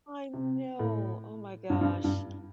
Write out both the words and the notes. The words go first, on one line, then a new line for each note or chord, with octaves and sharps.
I know. Oh my gosh.
C3
A2
G2
G2
G2